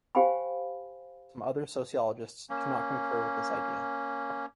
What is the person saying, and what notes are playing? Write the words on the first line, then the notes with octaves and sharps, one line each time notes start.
Some other sociologists do not concur with this idea.
G4 C5 F5 G5 G#5 B5
A#3 C#4